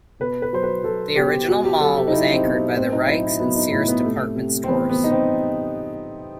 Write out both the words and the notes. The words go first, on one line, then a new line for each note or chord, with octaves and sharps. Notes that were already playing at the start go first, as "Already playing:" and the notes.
The original mall was anchored by the Rike's and Sears department stores.
B2 B4
B4
F#3 C5
B4
F#3 A4
B2 G4
B2 F#4
G4
F#3 A4
G4
D#4
F#3 E4
C4
B2
C4
A2 C4
D#4
F#3 E4
E4
F#3 B3
D#4
A2 E4
B3
C3 A3
C3
C4
E3 B3
B3
G3 D#4
C4